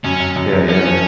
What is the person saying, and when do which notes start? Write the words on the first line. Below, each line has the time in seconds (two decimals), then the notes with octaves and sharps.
Yeah, yeah.
0.04 F#2 C#4
0.20 F#2
0.36 F#2
0.52 F#2
0.68 F#2 C#4
0.85 F3